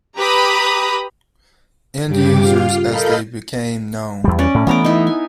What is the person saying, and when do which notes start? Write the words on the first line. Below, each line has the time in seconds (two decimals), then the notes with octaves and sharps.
"End users" as they became known.
0.17 G4 B4 A#5 B5 D#6
2.07 G2 C#3 G3 G4 D6
2.39 F4 F5
2.86 A4 A#4 D#5 F5 B5 G6
4.24 E2 G3
4.39 C#4 D5
4.55 A2
4.67 E3 G3 A3 B3 A#5 D6
4.85 D#4 E4
5.07 G#5